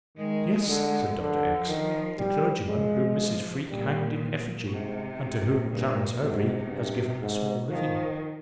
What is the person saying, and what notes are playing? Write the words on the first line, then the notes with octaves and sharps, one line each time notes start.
"Yes," said Dr. X----, "the clergyman whom Mrs. Freke hanged in effigy, and to whom Clarence Hervey has given a small living."
D#3 G#3
D3
D3 F3
D#3
G3
F3 G#3
A#2 G3
G#2 C3
G#2
G2 A#2
G#2 C3
G2
G#2
D#3 F3